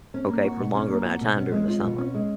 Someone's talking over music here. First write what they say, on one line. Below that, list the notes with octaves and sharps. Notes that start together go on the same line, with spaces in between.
okay, for a longer amount of time during the summer,
C#4
A#3
F#4
B2
C#4
A#3
F#4
B2
C#4
G#3
F4
B2
C#4
G#3